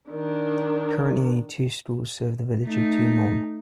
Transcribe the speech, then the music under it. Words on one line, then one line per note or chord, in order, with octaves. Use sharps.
Currently only two schools serve the village of Tumon.
D#3 D4
A3 D#4